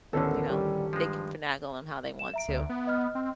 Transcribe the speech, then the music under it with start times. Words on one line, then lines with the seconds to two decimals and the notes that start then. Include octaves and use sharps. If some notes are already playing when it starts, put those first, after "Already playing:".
you know, they can finagle them how they want to, b
0.13 A1 D2 D3 D#3 B3 C#4 D#4 A4
0.49 G3 G4
0.93 G2 F3 G#3
2.19 E7
2.34 E5 A#5 D7
2.48 D2
2.70 B3
2.87 D#5 F6
3.15 C4